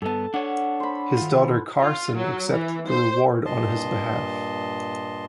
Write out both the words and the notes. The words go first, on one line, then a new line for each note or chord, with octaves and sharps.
His daughter Carson accepted the award on his behalf.
G2 B3 A4 A5
D4 C#5 F#5
C5 B5
D#3 F4
F4
F#3
E3
C5
G2 A#2 D#5 A5 C6